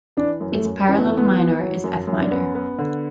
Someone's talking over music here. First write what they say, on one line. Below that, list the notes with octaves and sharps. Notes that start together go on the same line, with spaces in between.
Its parallel minor is F minor.
E3 D4
F#2
A3
F#2
E3 C#4
B3
A3
E3
B3
E3
F#3
F#2
F#2 E4
D4
B3 C#4
B3
D3